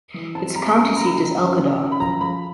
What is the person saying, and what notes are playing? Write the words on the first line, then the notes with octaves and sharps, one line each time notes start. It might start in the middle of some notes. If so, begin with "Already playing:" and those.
Its county seat is Elkader.
E3
C4 A5
G3 A#5
F#2 A#5
G3 A#5
B5
D#3 A#5
F#2
D#3
F#2
B5
F3 A#5
F3 B5